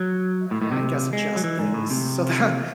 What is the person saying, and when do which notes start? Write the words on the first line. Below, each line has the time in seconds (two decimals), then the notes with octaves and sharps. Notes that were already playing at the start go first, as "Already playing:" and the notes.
I I guess adjust things so that
Already playing: F#3
0.51 A2
0.62 A2
0.71 C3
1.13 G#3
1.37 F#3
1.44 E3
1.59 G#2
1.74 A2
1.90 C3